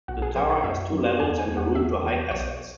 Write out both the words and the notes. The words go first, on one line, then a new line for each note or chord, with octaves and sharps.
The tower has two levels and a room to hide assets.
B1 F#4
G#4
B1 B4
C#5
F#2 E5
F#2
E2 G#5
G#5
E2
F#5
E2 E5
E2
B1 C#5